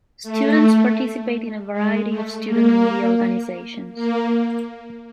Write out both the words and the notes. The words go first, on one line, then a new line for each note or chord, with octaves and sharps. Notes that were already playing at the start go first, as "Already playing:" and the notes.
Students participate in a variety of student media organizations.
A3
G#3
A3
A#3
A#3